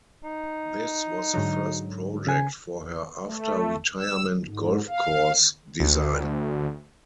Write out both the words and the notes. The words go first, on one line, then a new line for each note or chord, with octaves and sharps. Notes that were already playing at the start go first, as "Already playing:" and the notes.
This was the first project for her after-retirement golf course design.
D#4
G#2 D3 F#3
C#3 G#5
A3
E6
G#2
F5
D2